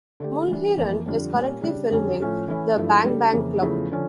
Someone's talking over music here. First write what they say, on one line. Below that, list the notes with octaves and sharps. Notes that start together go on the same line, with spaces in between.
Mulheron is currently filming "The Bang Bang Club".
D3 A3 D4 G4
E3 G3 D4
F2 E3 A#3
F2 D3 G3 D4 F4
A#2 G3 A#3 C#4
C#3 G3 D4
F2 D3 G3 C#4
A2 F3 C#4 F4 A4
E3 A3 C#4 E4
G2 F3 A3 E4
C#3 G3 D4 A4
F2 C#3 E3 A#3
E2 C#3 F3 A3 E4
D3 F3 C#4